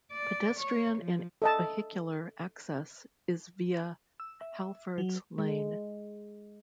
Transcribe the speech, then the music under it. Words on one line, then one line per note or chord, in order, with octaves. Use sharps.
Pedestrian and vehicular access is via Halfords Lane.
D5
C#5
F3
A4 D#5 A5
E6
E5
F#3
G#3